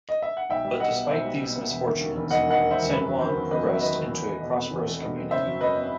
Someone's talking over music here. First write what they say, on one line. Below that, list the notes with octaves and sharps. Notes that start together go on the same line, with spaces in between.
But despite these misfortunes, San Juan progressed into a prosperous community.
D#5
E5
F#5
B1 E5 G5
G3
B2 D#5 F#5
B3
B1 C5 E5
G3
B2
B3
E1
D#3
D#2
E1
E1 D#5 F#5
D#3
D#5 F#5
D#2
E1 C5 E5
F#2 B4
F#3
D#3 C5
B3
F#2 B4 D#5
F#3
E5
D#3 B4 D#5
B3
E2
A3
B2
C4
E2
A3
B2
C4
F#1 C5 E5
F#3
F#2 B4 D#5
C4